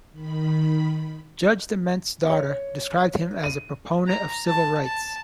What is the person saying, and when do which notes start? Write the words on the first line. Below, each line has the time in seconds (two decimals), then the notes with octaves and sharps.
Judge Diment's daughter described him as a proponent of civil rights.
0.12 D#3 B5
2.30 C#5
3.43 D#7
4.07 A#5
4.46 A5
4.85 A5